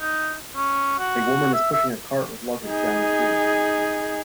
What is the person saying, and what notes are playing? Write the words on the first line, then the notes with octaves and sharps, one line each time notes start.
A woman is pushing a cart with luggage down a street.
D#4
C#4
F#4
E5
E5
D#4 G#4